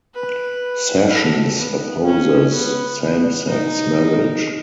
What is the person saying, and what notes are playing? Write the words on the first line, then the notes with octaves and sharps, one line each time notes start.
Sessions opposes same-sex marriage.
B4
A4
B3
C#4
B3
B3
D#4